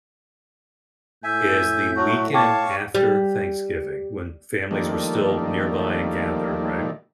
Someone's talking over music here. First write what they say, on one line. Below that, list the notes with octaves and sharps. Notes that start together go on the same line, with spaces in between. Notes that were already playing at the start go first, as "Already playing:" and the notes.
is the weekend after Thanksgiving when families were still nearby and gathered, right?
A2 E5 G#5 G6
F#3 A3 F#4
C#5 F5 G5 A5 C#6 D6 G#6
G3
D#3 F3 G3 A3 A#3 D4